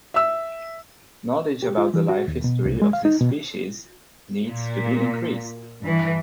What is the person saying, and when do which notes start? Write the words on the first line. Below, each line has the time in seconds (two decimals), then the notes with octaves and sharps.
Knowledge about the life history of this species needs to be increased.
0.14 E5 E6
1.63 G4
1.78 F4
1.94 E3
2.09 F#4
2.28 D#2
2.44 B2
2.66 C2
2.82 G#3
2.93 F5
3.05 D#4
3.20 B2
4.46 A#2
5.83 G2 E3